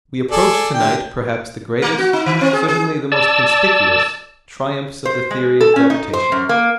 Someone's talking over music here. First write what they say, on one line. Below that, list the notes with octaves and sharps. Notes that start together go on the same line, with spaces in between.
We approach to-night perhaps the greatest, certainly the most conspicuous, triumphs of the theory of gravitation.
G#4 A4 D5
D3 G4 G5
A3
F#4
D#4
D#3
C4
G#4
G#4
D5 A5 E6
C5
G#3
A4
C#4
D#4
C5
F#2
A#3